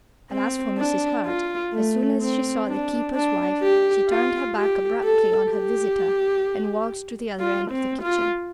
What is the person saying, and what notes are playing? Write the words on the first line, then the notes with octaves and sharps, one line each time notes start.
And as for Mrs. Hurd, as soon as she saw the keeper's wife, she turned her back abruptly on her visitor, and walked to the other end of the kitchen.
C4
D4
F4
A3
C4
D4
D4
G4
F4
G4
A4
G4
F4
C4
F4